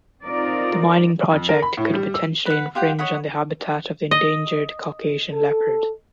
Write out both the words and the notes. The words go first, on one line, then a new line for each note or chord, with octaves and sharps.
The mining project could potentially infringe on the habitat of the endangered Caucasian leopard.
C4 D#4 F4 A#4 D5
F2
A#4
B5
A2
G3
E6
B4 F#5
F4 G4 F#5 G5
C#5 D#5 F#5 B5
D#5
A4